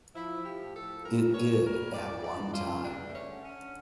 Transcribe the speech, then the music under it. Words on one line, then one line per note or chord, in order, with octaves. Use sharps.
It did at one time.
F3 E4
F3
G4
A2
A4
F3
G2 A#4
G2
C#5
G2
A#4
G3
F2 D5
F2
D5
E3
F4
C#3
G2 D4
A3
C#4
D3
C#4
D3